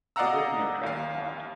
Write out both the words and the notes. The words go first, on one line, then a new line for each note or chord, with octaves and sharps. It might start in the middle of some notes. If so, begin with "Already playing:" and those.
They lived near Trap Pond.
D5 D#5 F5 F#5 A#5 E6
D#2 F5